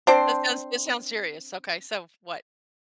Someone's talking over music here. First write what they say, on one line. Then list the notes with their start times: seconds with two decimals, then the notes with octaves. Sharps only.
That sounds that sounds serious. Okay. So what?
0.07 C4 D4 C5